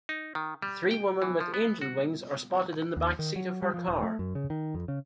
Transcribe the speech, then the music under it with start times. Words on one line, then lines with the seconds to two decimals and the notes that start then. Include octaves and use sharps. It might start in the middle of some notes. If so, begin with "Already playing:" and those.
Three women with angel wings are spotted in the backseat of her car.
0.09 D#4
0.35 D#3
0.62 G3
0.91 G5
1.22 E3
1.41 F3
1.54 B3
1.82 F#4
2.97 D#2
3.19 D#3
3.36 F#3
3.62 G3
3.74 F3
3.88 D#1
4.02 A3
4.19 F#2
4.35 C#3
4.50 D#3
4.75 F2
4.88 C#3